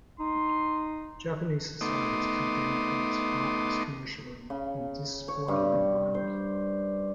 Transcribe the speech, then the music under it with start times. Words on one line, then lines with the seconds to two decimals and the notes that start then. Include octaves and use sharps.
Japanese society is condemned for its "heartless commercialism" and "despoiled environment".
0.20 D#4 C6
1.81 A3 B3 D#4 C6 D6 D#6
4.50 C#3
5.28 C#5
5.48 G2
6.14 C5